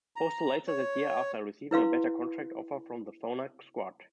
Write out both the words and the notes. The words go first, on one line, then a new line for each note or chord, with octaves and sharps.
Postal later that year after receiving a better contract offer from the Phonak squad.
A#5
C#5
E4 B4 F5 C6